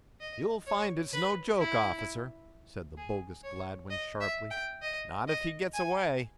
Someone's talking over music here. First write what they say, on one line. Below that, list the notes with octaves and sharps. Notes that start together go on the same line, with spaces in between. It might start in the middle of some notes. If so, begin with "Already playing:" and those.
"You'll find it's no joke, officer," said the bogus Gladwin sharply--"not if he gets away."
D#5
C#5
B4
E4
G#4
C#5
D#5
E5
G5
D#5
D#5
G#5